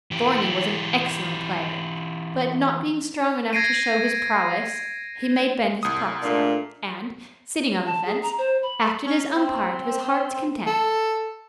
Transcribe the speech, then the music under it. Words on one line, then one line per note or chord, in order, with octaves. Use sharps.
Thorny was an excellent player, but, not being strong enough to show his prowess, he made Ben his proxy; and, sitting on the fence, acted as umpire to his heart's content.
E3 G4
G#6 A#6 C7 D7 D#7
C2 D#6
A#2 G#3 A3 D4
A5
G#4
A#5
C5
B5
C#4
C4
A4